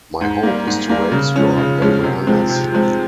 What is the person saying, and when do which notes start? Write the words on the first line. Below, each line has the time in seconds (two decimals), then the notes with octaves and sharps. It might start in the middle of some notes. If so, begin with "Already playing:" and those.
My hope is to raise your awareness.
0.21 G#2
0.43 G3 A#3
0.67 G#2
0.89 G3 A#3
1.12 C#3
1.36 F3 G#3 C#4
1.57 C#3
1.81 F3 G#3 C#4
2.03 C3
2.27 F3 G#3 C4
2.49 C3
2.72 F3 G#3 C4